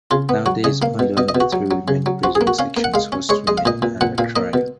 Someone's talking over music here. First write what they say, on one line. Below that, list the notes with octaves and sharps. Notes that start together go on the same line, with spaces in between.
Nowadays only one of the three women prison section hosts women under trial.
C#3 F4
B3
F#3 F#4
C#3 D#5
A#3 F5
B2
B2 D#5
D#5
B2
F#4
F#3
F#3
C#3
F#3
F3 F#4
G#4
A#3
F#4
C#4 F5
A#3
F#5
G#3 F5
C#4
G#3 C#5
G#3 D#5
F5
A#2 D#5
A#2
A#2 F#5
A#2 F5
A#3 D#5
B2